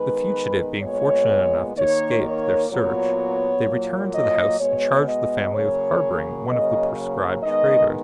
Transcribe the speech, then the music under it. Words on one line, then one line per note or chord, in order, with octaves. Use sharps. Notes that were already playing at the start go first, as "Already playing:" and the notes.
The fugitive being fortunate enough to escape their search, they returned to the house and charged the family with harbouring one of the proscribed traitors.
Already playing: D#3 G#3 B3 B4
A#2 G#3 B3 C#5
D#3 A#3 C#5
C#5
A#2 F#3 B3 C#5
A#2 F#3 A#3
D#5
B2 G#3 B3 C#5
D#5
C#3 F#3 A#3 C#5
C#3 F#3 A#3 D#5
D#3 G#3 B3 D#5